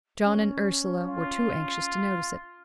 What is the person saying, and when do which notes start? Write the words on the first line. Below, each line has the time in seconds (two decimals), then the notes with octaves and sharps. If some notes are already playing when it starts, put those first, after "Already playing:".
John and Ursula were too anxious to notice it.
0.24 C#4
1.08 F4